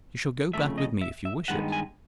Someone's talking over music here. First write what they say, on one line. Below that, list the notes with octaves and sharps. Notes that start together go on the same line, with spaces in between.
"You shall go back with me if you wish it."
F2 C#3 F#3 A3 E5
D#5
E5
E5
G2 D#3 G#3 B3 F#5
G#5